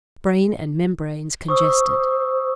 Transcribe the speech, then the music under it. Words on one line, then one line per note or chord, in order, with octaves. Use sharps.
Brain and membranes congested.
C5 C#6 D#6 E6